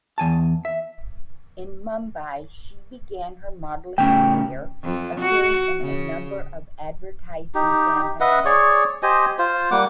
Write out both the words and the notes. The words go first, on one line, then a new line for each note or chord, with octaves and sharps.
In Mumbai, she began her modelling career, appearing in a number of advertising campaigns.
E2 G#5 A5
E5
A2 C#3 C#4 G5
F2
F#4
C#3
D#4 G4
B4 D#5 E5 F#5
G#4 C#5 D5 C#6
G4 C5 D#5 G#5
F4 C5
G3 A#3 F#5 D6